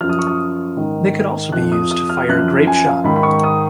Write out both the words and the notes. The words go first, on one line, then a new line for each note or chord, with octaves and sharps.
They could also be used to fire grapeshot.
F#2 F3 F6
D#6
C#6
D#6
G#2 D#3
F2 F3 F#6
D#6
D#6
F6
F#2 F3 F#6
G#5
F5
G#2 D#3 B5
B5
C#6
D#6